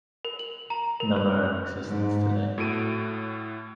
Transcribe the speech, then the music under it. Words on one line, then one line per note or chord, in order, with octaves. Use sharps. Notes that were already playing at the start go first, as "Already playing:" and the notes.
None are in existence today.
A#4
F#7
A#5
A#4
B4
G#2
A2 F#4 A4 D7 D#7